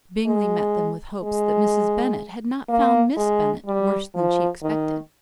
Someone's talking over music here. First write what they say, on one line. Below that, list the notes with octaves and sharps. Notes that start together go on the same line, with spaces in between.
Bingley met them with hopes that Mrs. Bennet had not found Miss Bennet worse than she expected.
G#3
G#3
A#3
G#3
G3
F3
D#3